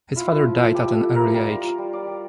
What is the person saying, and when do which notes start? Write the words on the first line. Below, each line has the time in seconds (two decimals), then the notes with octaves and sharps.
His father died at an early age.
0.16 E4 F4
0.31 E4
0.45 F3
0.60 E4
0.75 F3 G4
0.90 E4 A4
1.05 F3
1.15 E4 A#4
1.33 G3 A#4
1.48 F4
1.64 F4
1.78 G3
1.93 G3 D5
2.07 G3